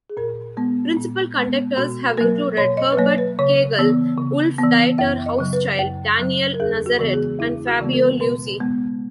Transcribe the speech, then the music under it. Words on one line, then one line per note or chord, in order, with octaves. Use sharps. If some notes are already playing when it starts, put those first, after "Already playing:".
Principal conductors have included Herbert Kegel, Wolf-Dieter Hauschild, Daniel Nazareth and Fabio Luisi.
G#4
A#2 A#4
G#3 B3
A#2
G#3 B3
B2 F#4
F#3 A#3 A#4
B2 C#5
D#5
B4
F#3 A#3 C#5
B4
C#3 C#5
E3 B3
C#3
E3 B3
F#2 E5
D#5
C#3 F#3
B4
F#2
C#3 F#3
A#4
E2 G#4
F#4
C#3 E3 G#3 B3
G#4
E2 E4
F#4
C#3 E3 G#3 B3
A#4
B2 B4
G#3 B3